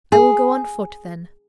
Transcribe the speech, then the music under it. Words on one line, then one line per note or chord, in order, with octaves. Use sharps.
"I will go on foot, then."
G#4